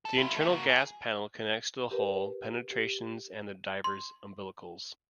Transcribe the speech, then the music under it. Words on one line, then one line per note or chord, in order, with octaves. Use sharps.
The internal gas panel connects to the hull penetrations and the diver's umbilicals.
A4
E4 F4
A3
A#3 F#4
G#4
G4 A#4 B4
G4
C6